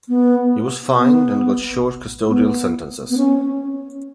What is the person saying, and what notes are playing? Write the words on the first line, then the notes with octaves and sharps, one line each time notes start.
He was fined and got short custodial sentences.
B3
B3
B3
B3
C#4